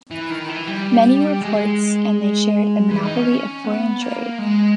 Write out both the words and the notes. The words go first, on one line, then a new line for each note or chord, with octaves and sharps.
Many were ports and they shared a monopoly of foreign trade.
E3
D#3
E3
G3
G#3
E3
D#4
C#4
B3
A#3
G#3